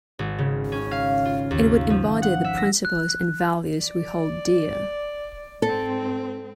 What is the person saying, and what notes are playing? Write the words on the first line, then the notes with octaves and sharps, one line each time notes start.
It would embody the principles and values we hold dear.
G#1
C#3
C#4
F5
F4
D#2
F3
F#5
E5
A#6
F#6
D5
G#2 C4 A4